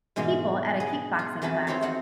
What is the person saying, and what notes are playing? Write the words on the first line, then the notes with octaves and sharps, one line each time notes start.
People at a kickboxing class.
G#2 B2 E3 G#3 A#3 D#4
B3 G#4
F4
F2 E3 F#4 G#4 A5 B5
C4 E4 F4 G4 C#5 F5
D#4 F#4 A4 F#5